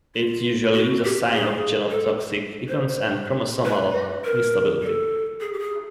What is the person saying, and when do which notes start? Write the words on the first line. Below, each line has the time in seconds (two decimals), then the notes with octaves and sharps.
It usually is a sign of genotoxic events and chromosomal instability.
0.15 F4
0.74 F#4
1.04 G4
1.33 G#4
1.90 A4
2.68 C5
2.88 C5
3.65 B4
4.24 A#4
4.82 A4
5.41 G#4
5.53 G4
5.59 G#4